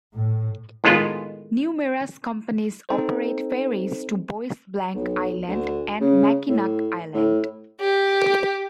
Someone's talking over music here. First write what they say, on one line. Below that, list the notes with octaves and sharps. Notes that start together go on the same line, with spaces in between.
Numerous companies operate ferries to Bois Blanc Island and Mackinac Island.
A2
A2 D#3 G#3 B3 F4
C4 D#4 A4 C5
B1
D2
C#3
A2
A2
G4